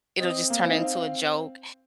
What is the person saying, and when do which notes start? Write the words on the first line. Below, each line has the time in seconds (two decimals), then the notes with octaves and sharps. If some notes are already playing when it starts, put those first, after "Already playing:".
it'll just turn into a joke.
0.19 C4 D#5
0.50 A#3 F5
0.60 C4
0.70 D#4
0.80 C4 F5